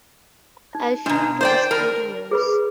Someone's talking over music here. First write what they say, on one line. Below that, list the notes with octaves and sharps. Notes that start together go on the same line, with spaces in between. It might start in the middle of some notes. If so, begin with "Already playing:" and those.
I feud with studios.
D#4
G#2 B2 D4 A#5
C5 D5 G5
A#4 A5 B5
G#4 B4 B5